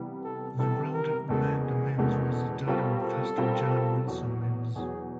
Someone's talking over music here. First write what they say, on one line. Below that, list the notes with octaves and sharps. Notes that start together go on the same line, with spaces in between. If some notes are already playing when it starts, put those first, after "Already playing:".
Zerelda Amanda Mimms was the daughter of Pastor John Wilson Mimms.
Already playing: C3 E3 G3 B3
A4
C3 E3 G3 B3 A4
A#4
F#1 E2 B2 G#3 A4
G#4
F#1 E2 B2 G#3 A4
A4
B2 G3 C4 F4 A4 A#4
A4
B2 G3 C4 F4 A#4
E2 B2 F#3
E2 B2 F#3 G#4